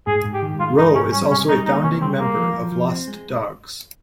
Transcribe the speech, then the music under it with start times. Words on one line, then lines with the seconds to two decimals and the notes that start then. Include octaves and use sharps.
Roe is also a founding member of Lost Dogs.
0.07 G#2 G#4
0.24 G#2
0.33 G4
0.42 D#3
0.59 G#3 F4
0.78 G#2 D#4
0.95 G#2 C#4
1.12 G3 C#4
1.31 C3 C#4
1.48 G3 D#4
1.66 A#3 D#4
1.84 C3 C#4
2.01 G3 C4
2.18 G#3 A#3
2.36 F3
2.54 F3
2.72 F3
2.89 C4
3.07 G#3